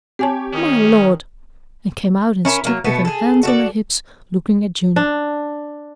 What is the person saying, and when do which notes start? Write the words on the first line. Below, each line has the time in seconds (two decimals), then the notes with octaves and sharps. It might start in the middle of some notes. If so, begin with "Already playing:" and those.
"My Lord!" and came out and stood with her hands on her hips looking at June.
0.19 C4 G4 C#5 G#5 A5
0.53 D#3 C#4
2.45 C#4 E4 A#4
2.65 F#3 A#3
2.84 B2 A3 B3
3.05 G#4 A4
3.43 F#4 A4 D5
4.96 D4